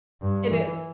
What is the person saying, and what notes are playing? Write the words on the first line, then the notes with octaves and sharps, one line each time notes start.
It is.
G2
E3